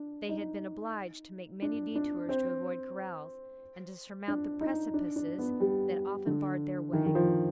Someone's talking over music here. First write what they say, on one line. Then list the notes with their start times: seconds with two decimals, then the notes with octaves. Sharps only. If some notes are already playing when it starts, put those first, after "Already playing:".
They had been obliged to make many detours to avoid kraals, and to surmount the precipices that often barred their way.
Already playing: D4
0.29 D#4
1.62 D4
1.95 D4
2.29 C4
4.28 D4
4.61 D#4
4.94 D4
5.16 D4
5.38 B3
5.60 G3
6.27 D3
6.93 D#3
7.06 D#3
7.15 F3